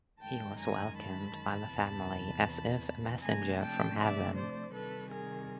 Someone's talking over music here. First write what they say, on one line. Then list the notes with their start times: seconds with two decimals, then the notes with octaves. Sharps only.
He was welcomed by the family as if a messenger from heaven.
0.20 F#2 D#3 G#3 G5 A5
0.58 G#5 A#5
0.97 A5 B5
1.71 E2 C3 E3
3.21 C3 F3 A3 D4 G#5 A#5
3.59 G5 A5
3.97 D5 E5
4.34 C5 D5
4.72 C3 D#3 G3 A4 B4
5.10 G#4 A#4